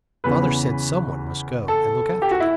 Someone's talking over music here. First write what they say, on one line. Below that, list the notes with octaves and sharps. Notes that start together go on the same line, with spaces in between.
Father said some one must go and look after them.
E2 C#3 E3 B4
A4
G4
F#4
E4